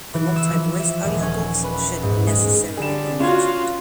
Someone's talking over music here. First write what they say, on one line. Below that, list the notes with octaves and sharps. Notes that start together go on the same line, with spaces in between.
The multi-voiced audio books should necessarily be mentioned.
E3
E6
F3
E5
D#1
C#4
B4
G#2
G#3
D3 G3 G#4 E7
C#4 F4 F#4 G#6